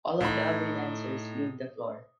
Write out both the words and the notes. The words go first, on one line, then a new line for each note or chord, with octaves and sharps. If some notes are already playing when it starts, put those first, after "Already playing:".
All of the other dancers leave the floor.
A2 D#4 B5